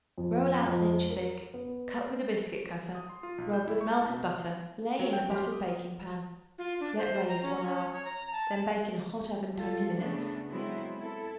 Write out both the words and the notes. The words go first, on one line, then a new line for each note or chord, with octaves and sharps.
Roll out an inch thick; cut with a biscuit-cutter; rub with melted butter; lay in a buttered baking-pan; let raise one hour; then bake in a hot oven twenty minutes.
F2
F2
A#4
B3
D#6
C6
F4
B1
G6
E4
C#6
A5
B2
F#3 C#4 G4
G5
F#3 G4 C6 F6
D#6
F4
D4
C5
A#5
C#4
C#4
C#5
A#5
A5
G3 F4 A4
C#3 A3 B3 D4
F#3 G#3 B3 C4 E4
E4 A4